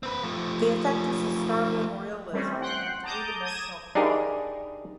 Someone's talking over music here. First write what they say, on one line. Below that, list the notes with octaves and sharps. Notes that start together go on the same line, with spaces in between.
The effect is a startling realism and three-dimensional quality.
C4 B4
F3 A3
G3 A3 C4 C#4
F#5 G5 C6 F#6
A5 A#5 D6 D#6 G6
D#6 G#6 D#7 E7
D4 D#4 G4 G#4 A#4